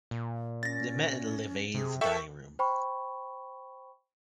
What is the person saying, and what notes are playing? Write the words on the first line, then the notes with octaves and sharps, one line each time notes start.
They meet in Levade's dining room.
A#2
C#4 A6 A#6
C3 G#4
A4 A#4 E5 G5 C#6
C5 G5 B5 C#6